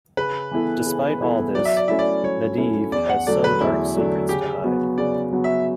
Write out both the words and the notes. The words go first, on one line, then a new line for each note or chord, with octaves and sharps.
Despite all this, Medivh has some dark secrets to hide.
C#3 B4
E3 B3 E4 A4
C#3
E3 B3 E4 A4
F#3 D5
E5
D5
A3 C#4 E4 E5
D5
F#3 C#5
A3 C#4 E4
E2 D5
F#5
D3 F#3 A3 D4 D5
B4
E2 E4
D3 F#3 A3 D4
C#3 G4
F#3 B3 F#4
C#3 D5
F#3 B3 F#4
E5